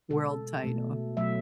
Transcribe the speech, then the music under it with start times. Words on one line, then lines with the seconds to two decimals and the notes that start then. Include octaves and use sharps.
world title.
0.10 B2 G#3 A4
0.64 B2 A3
1.17 B2 F#3 A3 E5